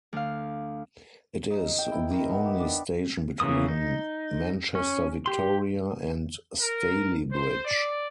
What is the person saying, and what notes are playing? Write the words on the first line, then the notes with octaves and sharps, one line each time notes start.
It is the only station between Manchester Victoria and Stalybridge.
D2 F5
D#4
G5
E4
D#3
B3
G4
D4
C#3 E3 A#3 D#6
D#4
C#4
G4 C6
A#4
C5
D5